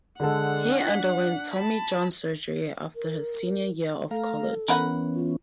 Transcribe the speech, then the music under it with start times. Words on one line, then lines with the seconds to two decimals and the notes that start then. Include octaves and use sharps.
He underwent Tommy John Surgery after his senior year of college.
0.20 D3 G#3 D4 A4 F#5
0.87 B6
1.54 A5 B5
2.95 A#4
4.11 A3 A4 F5 A#5
4.68 E3 B3 C#4 A#4 B4 F#5
5.15 F4